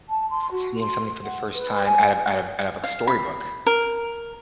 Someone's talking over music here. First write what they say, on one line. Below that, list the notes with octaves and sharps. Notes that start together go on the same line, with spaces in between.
seeing something for the first time out of out of out of a storybook.
A5
C6
F#4
C6
F#5
B4
G#5
F5
B5
A#4